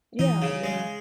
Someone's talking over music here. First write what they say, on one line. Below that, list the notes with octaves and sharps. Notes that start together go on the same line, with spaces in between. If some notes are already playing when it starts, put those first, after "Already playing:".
Yeah, yeah,
E3 D#4
C#3
G#3